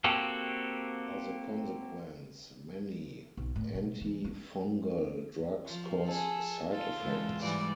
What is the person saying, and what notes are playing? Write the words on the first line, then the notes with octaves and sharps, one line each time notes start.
As a consequence, many antifungal drugs cause side-effects.
A#3 C4 F#4 G4 A4
B1
A2
B2
E3
D4
F3
G#4 A4
F4 A4
E2 G#3 A4
G#2 E3 G3 D5